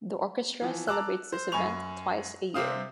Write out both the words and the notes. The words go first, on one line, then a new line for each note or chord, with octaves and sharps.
The orchestra celebrates this event twice a year.
E3 F3
A5 A#5 D6 E6 F#6
C5
F#2 G#5 B5 C#6 F7
C3 C4 F5 D#6